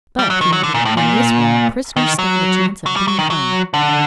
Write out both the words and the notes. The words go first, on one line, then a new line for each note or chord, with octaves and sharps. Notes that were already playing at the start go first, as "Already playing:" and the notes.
"But," he added, "in this war prisoners stand a chance of being hung."
G3
F#3
D#3
F#3
D3
A#2
A2
A#2
D#3
F#3
F#3
G3
F#3
D#3
F#3
D3